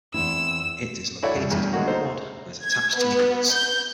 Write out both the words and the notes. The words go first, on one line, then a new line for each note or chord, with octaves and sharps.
It is located in the Quad and is attached to Mac's.
E2 C4 E4 E6
E4 F#4 A4 C#5 D5 E5
C2
E2 G2
D3 G#3 A#3 F#4
D#4 A4 C5
G#6
B3
G6